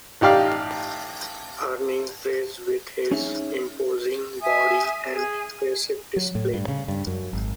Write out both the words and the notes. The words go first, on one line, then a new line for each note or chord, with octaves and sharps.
Earning praise with his imposing body and impressive displays.
A1 D#4 G4 D5 F5
C#4 D#4 G#4 C#5 E5
E5 G#5 D#6
G#4 G#5
F#3
A2
G2
C#3
G2
F#2
G#1